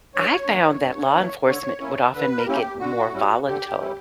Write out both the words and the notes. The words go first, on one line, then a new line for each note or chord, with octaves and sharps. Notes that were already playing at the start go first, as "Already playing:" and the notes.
I found that law enforcement would often make it more volatile
G2 C#5
E3 A#3 D4
G2
E3 A#3 D4
D3 C#5
A#3 C#4 E4
D3 B4
A#4
A#3 C#4 E4 G4
D3 F#4
G3 C#4 E4
D3 G4
G3 C#4 E4